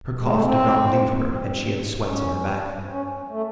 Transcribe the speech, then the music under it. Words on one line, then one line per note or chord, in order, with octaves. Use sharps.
Her cough did not leave her, and she had sweats on her back.
G#3
A3
C4
C#4
C4
C#4
A3